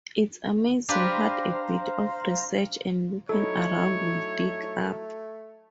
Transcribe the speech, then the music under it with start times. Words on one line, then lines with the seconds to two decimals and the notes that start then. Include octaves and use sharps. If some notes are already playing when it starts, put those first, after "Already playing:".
It's amazing what a bit of research and looking around will dig up.
0.89 D4 G4 B4 C5 F5 A#5
3.29 F#3 A3 D#4 E4 A4 C#5